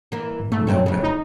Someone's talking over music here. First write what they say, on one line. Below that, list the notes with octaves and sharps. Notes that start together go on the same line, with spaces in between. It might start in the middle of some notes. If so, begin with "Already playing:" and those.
"No, no."
E3 A#3
G#2 A3
A#2 C4 C#4
F2 C#3
D#4